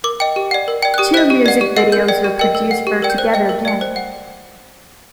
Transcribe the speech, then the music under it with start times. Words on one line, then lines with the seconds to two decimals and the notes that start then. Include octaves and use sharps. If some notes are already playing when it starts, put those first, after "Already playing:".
Two music videos were produced for "Together Again".
0.04 A#4 D6
0.20 D#5 G5
0.36 G4
0.51 D5 F#5
0.68 A#4
0.82 D5 G5
0.94 F#6
0.98 G4 D#6
1.14 C5 D#5 F#6
1.30 G4
1.46 D5 F#5
1.61 G4
1.76 A#4 D#5 F#5
1.92 A#4 G6
2.08 D5 G5
2.24 G4
2.39 A#4 D#5 G5
2.55 A#4
2.71 F#5
2.87 G4
3.02 A#4 D5 G5
3.10 G6
3.18 C5 F#6
3.34 D#5 G5
3.49 A#4
3.65 D5 G5
3.81 C5
3.96 F#5